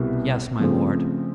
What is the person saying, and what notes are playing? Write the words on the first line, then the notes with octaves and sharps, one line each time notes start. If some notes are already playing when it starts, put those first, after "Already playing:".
"Yes, my lord."
Already playing: C2 B2 G3
C#3 F3 A3 C4